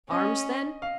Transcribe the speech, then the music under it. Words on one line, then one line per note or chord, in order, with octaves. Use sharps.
"Arms, then?"
C#4 D#5
F5